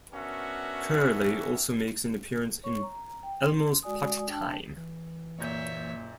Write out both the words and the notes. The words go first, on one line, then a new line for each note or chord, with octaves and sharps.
Curly also makes an appearance in "Elmo's Potty Time".
B3 C#4 D4 F#4 A#4 E5
C#5 C#6
A#5
G5
C6
G#3 F#4 D5 G#5 D#6
D4 G5 A5
E3
F#1 A#2 C#5 E5 G6